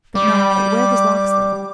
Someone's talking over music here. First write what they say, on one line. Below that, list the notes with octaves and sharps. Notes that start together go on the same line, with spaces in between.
"But now, where was Locksley?"
G3 D6